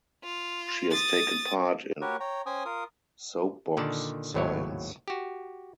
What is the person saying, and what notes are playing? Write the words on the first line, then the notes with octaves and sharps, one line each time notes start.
She has taken part in Soapbox Science.
F4
D#6 A6
F#4 G4 A#4 B4 C#5
C#5 G5 A#5
C#4 C5 G5 G#5 D#6
F4 A#4 D#6
A#2 D3 D#3 D5 A5
G#1 D#2 A2 F#3 E4 C#5
F#4 G4